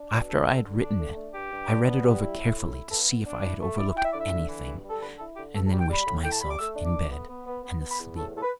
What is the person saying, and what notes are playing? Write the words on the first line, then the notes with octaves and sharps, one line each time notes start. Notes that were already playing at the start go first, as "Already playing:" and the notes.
After I had written it I read it over carefully to see if I had overlooked anything, and then wished myself in bed and asleep.
Already playing: D4
B2 D5
D3 A4
D3
D3
D4
A3
D4
G2 G4
G2
D4
B3
G3
E4
A2
E4
E4
B3 A4
B3
D4
E4
A3
E4 D5
E4 G5
E5
D3 D5
E5
D3
E3
G2
G3
A4
D3 B4
E4 A4
D3 G4
G2 A4
A4
G3
G5
G3 B5
A2
A2 G5
A5
G3 B5
D6
A3 E6
D4
D6
A3
B3
B3
B3
B3
B3
B5
E2
A2 A4
A2 A4
B4